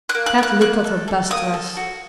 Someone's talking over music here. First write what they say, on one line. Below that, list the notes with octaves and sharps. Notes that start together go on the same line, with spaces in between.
Kat looked at her best dress.
F#6
A#3
F#6
A#3 F#6
A#3 F#6
A4
A4
A#3 D#6
A4
F#4